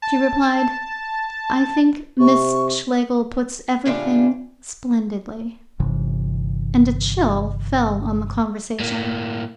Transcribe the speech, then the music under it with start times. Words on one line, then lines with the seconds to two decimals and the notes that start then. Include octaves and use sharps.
She replied: "I think Miss Schlegel puts everything splendidly"; and a chill fell on the conversation.
0.02 A5
2.20 C3 C#6
3.85 A2 C#3 G3 C#4 D4 F4
5.80 G1 C3 E3
8.80 A2 A#3